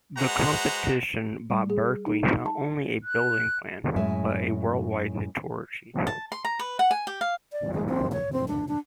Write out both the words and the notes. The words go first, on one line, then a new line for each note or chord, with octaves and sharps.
The competition brought Berkeley not only a building plan but worldwide notoriety.
G#3 F#4 B4 C5 F#5 A#5
G3
G#4
D#4
A5
F#6
F#2 A2 G#3 E5 G#5
A5
C6
A#5
B4
F#5
G#5
G4
F5
D5
G#3
C4
C#5
C4
D4
D4